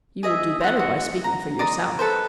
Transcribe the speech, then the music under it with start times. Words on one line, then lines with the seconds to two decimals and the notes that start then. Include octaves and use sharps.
"You will do better by speaking for yourself."
0.23 G#4 D#5 E5
0.61 C5 F#5
0.77 F#4 C6
1.24 A#5
1.59 D5 D#5 A#5 C6
1.99 A4 B4 C5